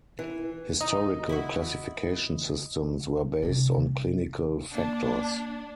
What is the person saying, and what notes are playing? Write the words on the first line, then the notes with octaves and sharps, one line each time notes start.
Historical classification systems were based on clinical factors.
E3
D#4 D#5
E4 F#4
C2 D3
A#3 D4